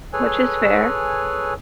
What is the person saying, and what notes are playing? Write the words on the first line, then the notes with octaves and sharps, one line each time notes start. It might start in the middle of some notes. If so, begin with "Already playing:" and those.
which is fair.
G#4 A4 B4 C#5 G#5